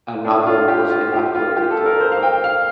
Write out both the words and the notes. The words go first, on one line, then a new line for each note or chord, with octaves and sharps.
Another was evacuated to Kuwait.
D4
F4
G4
F4
G4
F4
G4
A4
A#4
C5
F5
G5
F5